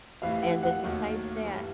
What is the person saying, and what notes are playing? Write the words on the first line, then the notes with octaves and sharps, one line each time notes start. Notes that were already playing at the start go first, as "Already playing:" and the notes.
And then besides that,
A2 E3 G3 C4 F5
F#5
F#5
D#2 D#3 F#3 A3
G2 E3 G3